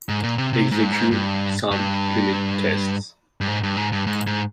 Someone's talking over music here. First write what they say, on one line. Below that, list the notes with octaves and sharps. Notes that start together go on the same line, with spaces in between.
Execute some unit tests.
G#2
A#2
C3
C3
G#2
G2
G#2
G2
G2
G2
G#2
G2
G#2
G2
G#2
G#2